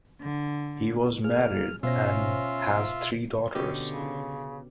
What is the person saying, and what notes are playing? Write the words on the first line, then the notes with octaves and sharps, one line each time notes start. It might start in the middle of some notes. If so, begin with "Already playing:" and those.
He was married and has three daughters.
D3
A#3 G#4 F6
B2 C#4 F4 C5 E5 C6 A#6
B2 D3 C#4 G4
C#3